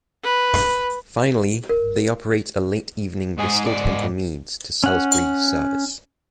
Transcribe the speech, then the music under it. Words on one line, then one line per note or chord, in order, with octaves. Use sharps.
Finally, they operate a late evening Bristol Temple Meads to Salisbury service.
B4
A#4
G#2 G#4
G#2 D5
C#4 F#5